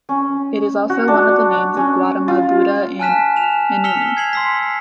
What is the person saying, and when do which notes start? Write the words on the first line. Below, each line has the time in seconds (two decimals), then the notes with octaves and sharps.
It is also one of the names of Gautama Buddha, and Hanuman.
0.09 C#4
0.90 F#4
1.08 D4
1.77 C#4
2.28 F4
2.99 G#5 A5 F6 F#6 B6 E7
3.36 E7 F7
3.84 E6 F6 B6 C#7 F7 G7
4.17 G#6 C7 F#7
4.33 C6 E6 B6